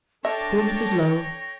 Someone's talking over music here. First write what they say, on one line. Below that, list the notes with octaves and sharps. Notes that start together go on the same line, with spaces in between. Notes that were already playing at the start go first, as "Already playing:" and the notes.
Poor Mrs. Low!
D4 A4 C#5 E5 G5 A5 A#6